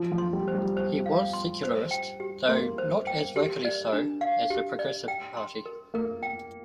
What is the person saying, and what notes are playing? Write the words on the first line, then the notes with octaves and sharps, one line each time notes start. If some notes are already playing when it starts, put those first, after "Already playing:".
It was secularist, though not as vocally so as the Progressive Party.
Already playing: F3
F3
C6
G3
C5
G3
C5
F5
C6
C5
G5
G4
A#3 C6
C5
G5
G4
D5
D4
F5
G4
D5
G5
C6
A#4
A#3 A#4
G5